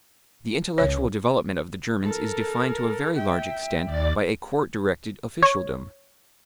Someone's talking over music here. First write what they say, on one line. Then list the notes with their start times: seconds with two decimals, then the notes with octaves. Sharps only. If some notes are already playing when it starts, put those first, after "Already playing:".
The intellectual development of the Germans is defined to a very large extent by a court-directed officialdom.
0.78 C#2 C#5
2.04 A4 A#4
3.16 E5 G5
3.84 D#2 D5 A6
5.42 C#5